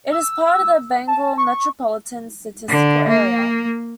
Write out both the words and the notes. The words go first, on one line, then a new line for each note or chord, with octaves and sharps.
It is part of the Bangor Metropolitan Statistical Area.
E6
A5
C#6
D3
A#3